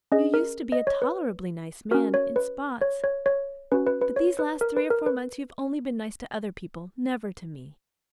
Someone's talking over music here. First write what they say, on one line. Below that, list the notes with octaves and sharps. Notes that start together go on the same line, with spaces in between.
You used to be a tolerably nice man--in spots, but these last three or four months you have only been nice to other people, never to me.
C#4 G#4 D#5
A#4
D#5
C#5
B4
C#4 F#4 A#4
C#5
B4
C#5
C#5
C#5
C#4 F#4 B4
B4
B4
C#5
B4
A#4
B4
A#4
B4